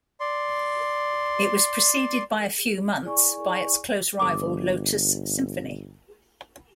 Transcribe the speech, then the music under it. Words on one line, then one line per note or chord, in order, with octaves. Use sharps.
It was preceded by a few months by its close rival Lotus Symphony.
D5 C6
E4 G#4 D5 G#5 C#6
G1 A4 D6